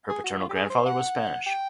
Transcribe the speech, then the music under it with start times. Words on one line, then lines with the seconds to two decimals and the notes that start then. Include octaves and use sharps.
Her paternal grandfather was Spanish.
0.09 G#4
0.24 F#4
0.40 F4
0.49 G4
0.55 G#4
0.70 C5
0.86 F#5
1.46 G5